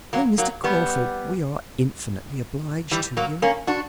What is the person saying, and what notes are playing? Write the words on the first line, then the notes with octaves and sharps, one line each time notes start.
Oh, Mr. Crawford, we are infinitely obliged to you!
F#3 A#3
F#3 A#3
G3 B3
E3 G3
F#3 A#3
A#3 C#4
D4 F#4